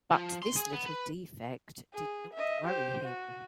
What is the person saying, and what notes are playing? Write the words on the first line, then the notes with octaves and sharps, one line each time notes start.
But this little defect did not worry him.
F3
C6
G#4
B3
B4
G#4
D#5 E5
G4 C5
F#4